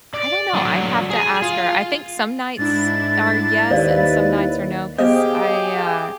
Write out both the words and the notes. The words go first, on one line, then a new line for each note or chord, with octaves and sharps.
I don't know, I'd have to ask her. I think some nights are yes and some nights are no 'cause I, uh,
D5
D3 F#3
G#4
F4
G#2 D4 E4 A6
D#2 E4 B4 C5 D5 F5
B3 G4 G#4 C5 D#5 F5 G5